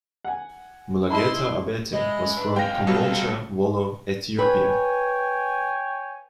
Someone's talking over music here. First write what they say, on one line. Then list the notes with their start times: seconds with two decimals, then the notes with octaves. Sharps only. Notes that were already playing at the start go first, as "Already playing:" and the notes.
Mulugeta Abate was from Kombolcha, Wollo, Ethiopia.
0.25 F#5 G#5
1.10 E4 D#5 A5 B5 C6
1.93 G#3 E4 D#5
2.37 D4 B4
2.56 C3 G#3 F5 G5 A#6
2.87 B2 F#3 G3 C4 A4
4.39 B4 C#5 G5 G#5